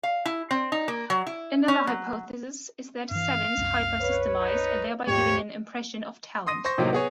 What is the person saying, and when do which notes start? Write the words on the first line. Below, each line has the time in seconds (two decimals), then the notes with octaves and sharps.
Another hypothesis is that savants hyper-systemize, thereby giving an impression of talent.
0.03 F5
0.26 E4
0.51 C4
0.72 D#4
0.88 A#3
1.10 F#3
1.27 E4
1.68 C#4
1.87 F#3
3.11 G2 E3 F5
3.57 C2 F#2
4.01 B4 C#5
4.40 D#4
5.07 D#1 F2 G#2 A3 G4 C#5
6.47 C6 D#6 A#6 D#7
6.65 C5 C#6 A#6
6.78 A2 C3 F#3 A#3 C4 D#4
6.93 B3 G#4 C#5